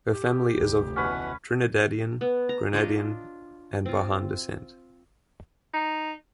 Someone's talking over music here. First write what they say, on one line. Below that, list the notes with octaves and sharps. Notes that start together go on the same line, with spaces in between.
Her family is of Trinidadian, Grenadian, and Bajan descent.
G4
F1 D2
B2 E3 C#4 B4 F#5
B3
A#5
D4 F4 C#5 D#5
C4 F4
D#4